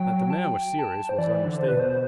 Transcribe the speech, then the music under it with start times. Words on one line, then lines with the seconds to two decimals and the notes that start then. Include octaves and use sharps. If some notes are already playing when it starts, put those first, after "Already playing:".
That the man was serious was unmistakable.
Already playing: F#3 G5
0.30 A5
0.39 G5
0.68 G5
0.79 A5
1.09 C5
1.18 E3 D5
1.45 D3
1.59 C5
1.68 B2 B4
1.79 C5